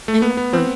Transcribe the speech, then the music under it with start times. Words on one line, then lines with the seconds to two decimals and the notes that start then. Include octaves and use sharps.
in the fruits,
0.08 A3
0.22 B3
0.37 B3
0.53 C4